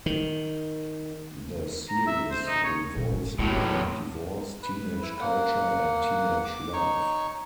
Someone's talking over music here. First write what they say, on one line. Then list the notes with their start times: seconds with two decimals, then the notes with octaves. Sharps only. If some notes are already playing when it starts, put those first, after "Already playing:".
The series revolves around divorce, teenage culture and teenage love.
0.06 D#3
1.89 A#5
2.07 E5
2.31 C5
2.47 D#4
2.64 C#5
2.96 A#1 D#3
3.08 G#2
3.39 A2 F#3 G#3 E4
4.62 B4
5.03 E4
5.21 A#3 F#5
6.45 D6
6.73 D#4 C#5 C#6